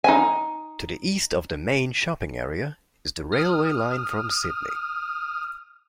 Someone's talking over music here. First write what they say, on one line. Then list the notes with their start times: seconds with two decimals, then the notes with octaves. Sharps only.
To the east of the main shopping area is the railway line from Sydney.
0.04 D#4 G#5
3.32 D#6 F6